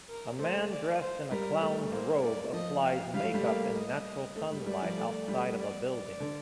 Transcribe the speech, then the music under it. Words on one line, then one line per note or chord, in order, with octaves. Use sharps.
A man dressed in a clown 's robe applies makeup in natural sunlight outside of a building.
A#4
A3 C5
D5
C5
G3 A#4
A3
A#3 C5
A3 D5
F3 D#5
F5
G3 F5
A3
G3
A#3 F5
D#5
A3
G3
G3 D5
F3
A3
G3
D5
D5
D3